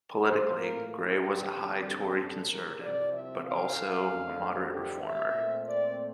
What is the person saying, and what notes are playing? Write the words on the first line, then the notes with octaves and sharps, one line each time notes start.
Politically, Gray was a high Tory Conservative but also a moderate reformer.
A2 E3 A#3 C5
A#4
G4
F2 D3 G3 C4
G4
A4
A#4
C2 C3 F3 C4 D5
E5
F5
F2 D3 A3
G4
E5
A#2 A3 C4
D5